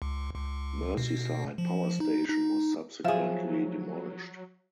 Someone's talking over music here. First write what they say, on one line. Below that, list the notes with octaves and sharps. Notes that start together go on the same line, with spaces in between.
Merseyside Power Station was subsequently demolished.
C#2
C#2
B2
F3
D#4
D#4
F3 F#3 G#4 E5 F5 E7